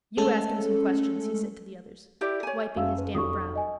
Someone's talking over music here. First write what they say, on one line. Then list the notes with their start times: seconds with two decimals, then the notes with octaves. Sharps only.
"You ask him some questions," he said to the others, wiping his damp brow.
0.17 G#3 A3 C#4 A4
2.21 E4 G4 D5
2.43 C#5 G#5
2.76 F#1 F#4 E5 F5 E6
2.98 B4
3.15 F1 F#3 C#6 D#6
3.56 D#5 G#5